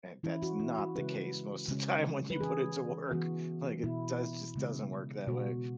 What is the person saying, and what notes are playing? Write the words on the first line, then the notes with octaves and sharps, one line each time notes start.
And, that's not the case most of the time when you put it to work, like, it does just doesn't work that way.
E3 C#4 E4
F#4
E4
F#4
C#3 G#3 C#4 B4
C#3 G#3 C#4
B4
E3 C#4 G#4
E3 B3 F#4
B2 B3 E4
C#3 G#3 B3
B2 G#3 B3 F#4